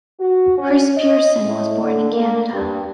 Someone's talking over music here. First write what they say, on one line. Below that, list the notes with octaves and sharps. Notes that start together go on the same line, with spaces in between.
Chris Pierson was born in Canada.
F#4
C#4
D#5
A2
D3
A#3
G2